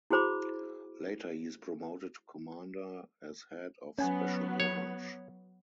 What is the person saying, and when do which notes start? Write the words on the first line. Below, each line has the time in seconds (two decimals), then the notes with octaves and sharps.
Later he is promoted to commander as Head of Special Branch.
0.10 E4 F#4 G#4 C5 B5 D6
3.99 F#3 B3 C#4 G#5
4.60 C#5